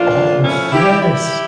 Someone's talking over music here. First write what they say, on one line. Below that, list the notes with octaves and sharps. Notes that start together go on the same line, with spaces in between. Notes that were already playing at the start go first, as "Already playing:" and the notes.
Oh, yes!
Already playing: A2 F3 A#3 D4 F4
C#4 E4
E4 G4
E4 G4